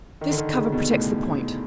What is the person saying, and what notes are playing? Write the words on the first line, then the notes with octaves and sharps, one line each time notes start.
This cover protects the point.
D#3
D3
D#3
C#3
B2
A2